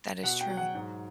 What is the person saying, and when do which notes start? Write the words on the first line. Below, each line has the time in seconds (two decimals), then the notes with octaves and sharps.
That is true.
0.23 B2 F#5
0.41 G5
0.49 F#3
0.57 F#5
0.75 G#2